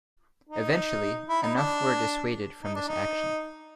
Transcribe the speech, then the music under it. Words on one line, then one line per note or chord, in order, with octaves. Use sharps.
Eventually, enough were dissuaded from this action.
D#4
E4
D#4
D4
D#4
D4
D#4